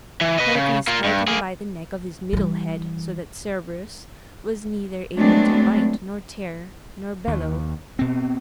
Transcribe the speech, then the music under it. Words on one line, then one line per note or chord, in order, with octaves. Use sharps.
Heracles held him by the neck of his middle head so that Cerberus was neither able to bite nor tear nor bellow.
E3
B4 D#5
C#3
A#3 F4
G2
A#3 G#4
E3 G3
F#3 G#3 A3 B3 C4 D4
D#2
B2 C4